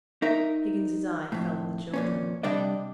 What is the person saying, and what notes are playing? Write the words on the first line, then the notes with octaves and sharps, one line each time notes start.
Higgins's eye fell on the children.
D#4 A#4 E5
F2 A2
F2 A#2 C#4
C3 G3 D4 D5 D#5